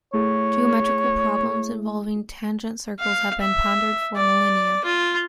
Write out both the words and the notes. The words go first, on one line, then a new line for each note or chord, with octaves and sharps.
Geometrical problems involving tangent circles have been pondered for millennia.
A3 E4 G#4 C#5
F5
E5
D5
F4